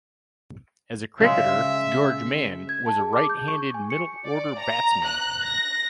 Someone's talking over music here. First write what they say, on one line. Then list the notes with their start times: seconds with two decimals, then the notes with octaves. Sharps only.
As a cricketer, George Mann was a right-handed middle-order batsman.
1.20 C#3 G#3 E5
2.69 G#6
2.86 A5
3.00 G#4
3.13 D6
3.30 G6
3.48 C#6
3.74 G#5
3.90 C#7
4.26 D5
4.58 A#5
5.04 F#6
5.44 A#6